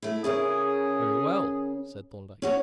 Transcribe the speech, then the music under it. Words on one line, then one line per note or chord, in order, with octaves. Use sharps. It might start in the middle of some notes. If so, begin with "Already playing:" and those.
"Very well," said Thorndyke.
A3 E4
C#3 C#4 G#4 A#4
C#4 F#4 C#5